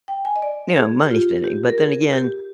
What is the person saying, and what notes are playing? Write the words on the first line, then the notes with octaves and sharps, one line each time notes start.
you know, money spending. But then again
G5
G#5
D#5
D5
G#4
G4
F4
G4
A#4
G#4
G4